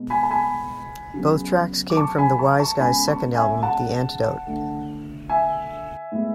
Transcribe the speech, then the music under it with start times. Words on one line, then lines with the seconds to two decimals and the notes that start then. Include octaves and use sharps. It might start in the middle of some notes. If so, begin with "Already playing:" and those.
Both tracks came from The Wiseguys second album, "The Antidote".
Already playing: B2 G#3 B3
0.10 G#5 B5
0.23 A5
0.31 G#5 B5
1.14 C#3 F#3 B3
1.90 D6
1.97 A5 C#6
2.18 G#5 B5
2.39 A5 C#6
2.59 A5 C#6
2.80 C#3 G#3 B3 G#5 B5
3.07 A5 C#6
3.35 E5 G#5
3.63 F#5 A5
4.47 D3 A3
5.29 E5 G#5
6.12 A2 G#3 B3